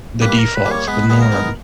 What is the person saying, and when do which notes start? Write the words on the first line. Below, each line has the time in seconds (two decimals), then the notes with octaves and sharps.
the default, the norm,
0.21 G3 A#3 B4
0.39 A#4
0.55 B4
0.65 G3 A#3
0.71 C#5
0.87 G#3 B3 B4
1.10 G#3 B3
1.21 A#4
1.31 G#3 B3